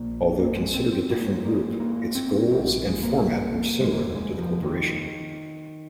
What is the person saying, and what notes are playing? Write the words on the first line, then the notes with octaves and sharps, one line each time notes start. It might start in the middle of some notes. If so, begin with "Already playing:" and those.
Although considered a different group, its goals and format were similar to The Corporation.
Already playing: A#1 A#2 A#3
A#3
G#3
C4
C4
G#1 G#2 A#3
A#3
A#3
C4
A#1 G#2 C4
G#3
A#3
A#3
G#3
F1 D#2 A#3
G#3
F3
D#3